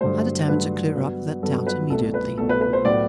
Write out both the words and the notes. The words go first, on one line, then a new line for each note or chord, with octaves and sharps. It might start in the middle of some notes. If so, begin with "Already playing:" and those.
I determined to clear up that doubt immediately.
G2 D3 F#3 A3 C5
G2 D3 F#3 A3 B4
G2 F#3 B3
G2 F#3 B3 A4
B4
C2 B2 A3 A4
B4
C2 B2 A3 A4
B4
B4
C5
A2 F#3 B3 D5